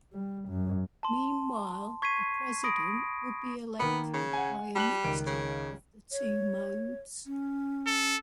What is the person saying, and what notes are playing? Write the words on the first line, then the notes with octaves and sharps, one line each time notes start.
Meanwhile, the president would be elected by a mixture of the two modes.
G3
F#2
A5 C6
C#6 G#6 B6 C7 D#7
B5 D#6 A#6 D7
D#3 A#3 B3
C#3
F#5 G#5
G3 A5 F#6 F#7
C#2 D#3 D7
C#3
C#5
C#4
A4